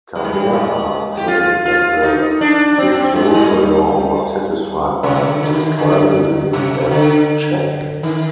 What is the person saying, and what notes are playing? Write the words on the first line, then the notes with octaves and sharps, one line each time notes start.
Ceverha claimed that the disclosure law was satisfied by describing the gift as 'check'.
G3
G#3
G3
G#3
G4
F4
F4
D#4
D4
D4
C4
D4
C4
G#3
G3
C3
D3
D3
D#3
D3
C3
D3
D#3